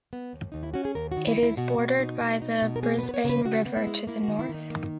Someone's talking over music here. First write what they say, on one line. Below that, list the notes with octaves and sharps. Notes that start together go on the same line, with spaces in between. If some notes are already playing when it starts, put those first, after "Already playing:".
It is bordered by the Brisbane River to the north.
B3
D#2
D#2 D#4
E4
C#4 F#4
G#4
D#2 A#4
F#4
D#3
E4
D#2
E4
B2 F#4
B2
D#4
B2
D#4
B2
A#4
B3 G#4
B4
B3
B4
C#5
C#3 A#4
B4
C#3 F#4
B3
E4
G#3
A#3 E4
D#3 F#4
E4
D#3
D#4
A#3